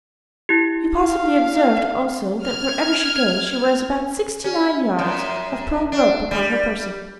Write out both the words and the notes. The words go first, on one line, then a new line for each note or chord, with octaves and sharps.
"You possibly observed also that wherever she goes she wears about sixty-nine yards of pearl rope upon her person."
E4 G4
F5
F6 G#6
C#4
F#2
D4
G3